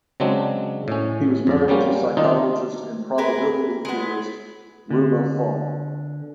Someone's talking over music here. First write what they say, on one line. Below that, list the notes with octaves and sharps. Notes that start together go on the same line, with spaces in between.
He was married to psychologist and probability theorist Ruma Falk.
C#3 F#3 G#3 C4 D4
A2 C#4
F2 D5
F#3 G3 A#3 C#4 C5
D#3 D4 D#4 F4
G#4 A#4 B4
G#3 B3
D3